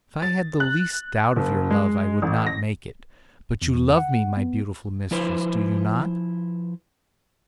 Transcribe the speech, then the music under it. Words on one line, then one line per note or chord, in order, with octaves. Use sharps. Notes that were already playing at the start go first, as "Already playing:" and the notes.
"If I had the least doubt of your love I would not make it, but you love me, my beautiful mistress, do you not?"
A6
F#6
F#1
G#3
A1
A#6
E2
E2
F#5
B3
F3 E4 B4 C5